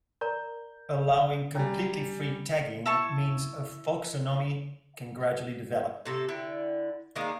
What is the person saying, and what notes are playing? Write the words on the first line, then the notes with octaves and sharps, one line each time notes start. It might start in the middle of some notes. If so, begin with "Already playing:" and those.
Allowing completely free tagging means a folksonomy can gradually develop.
A#4 D5 A#5 G6
G3 C#4 G#5 A#5
E4 A5 C#6
A2 C3 A4
D3 E4 G5
D#3 G#3 A#3 D#4